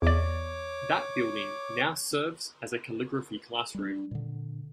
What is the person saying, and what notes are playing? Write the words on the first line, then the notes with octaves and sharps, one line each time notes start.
That building now serves as a calligraphy classroom.
E2 C#5 D5 D6
G3 D4
A#2 D3